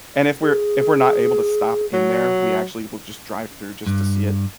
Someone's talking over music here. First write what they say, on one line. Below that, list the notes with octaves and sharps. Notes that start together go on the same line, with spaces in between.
and if we're if we're not able to stop in there, we actually will just drive through just to see it.
G#4
F#3
G2